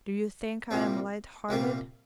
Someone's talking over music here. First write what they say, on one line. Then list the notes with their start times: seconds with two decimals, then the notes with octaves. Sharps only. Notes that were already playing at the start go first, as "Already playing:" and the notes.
Do you think I'm light-hearted?
0.71 C2 A#2 G3 C4
1.49 C2 A#2 G3 C4